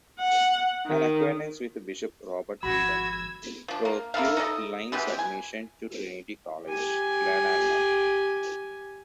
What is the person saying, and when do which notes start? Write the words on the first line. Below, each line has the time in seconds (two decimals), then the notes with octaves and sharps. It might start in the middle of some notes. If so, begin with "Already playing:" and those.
An acquaintance with Bishop Robert Eden procured Lyne's admission to Trinity College, Glenalmond.
0.20 F#5
0.86 D#3
2.63 G#1 F3 F#4 B5 E6 G#6
3.68 F3 D4
3.85 A#3
4.14 A#3 E4 A4 F5
4.37 D#4 A4 D5 D#5
4.92 B2 E3 G#3 G4
5.19 G#5
6.65 G4 G#5